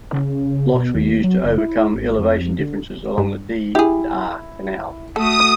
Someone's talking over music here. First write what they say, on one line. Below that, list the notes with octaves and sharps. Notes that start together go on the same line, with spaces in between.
Locks were used to overcome elevation differences along the D and R canal.
C#3
B2
D#2
F#3
F#1
E4
G#1
F2
D3
G2
E4 G4 G#4
A3 F#4 A4 D#6